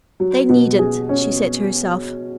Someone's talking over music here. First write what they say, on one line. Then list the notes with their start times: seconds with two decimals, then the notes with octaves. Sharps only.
"They needn't," she said to herself.
0.20 F#3
0.49 B2
0.79 G#4
1.09 C#4